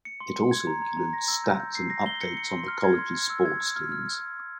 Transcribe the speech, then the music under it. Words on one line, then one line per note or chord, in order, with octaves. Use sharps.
It also includes stats and updates on the college's sports teams.
C#7
C6
C6
G#6
A#5
A#5
A#5
A#6
E6
G6
G6
C7
A#6
G7
C#7
C#7
C6
F6
G#6
C6
G#6
E6
G#6
G#6
F6
F6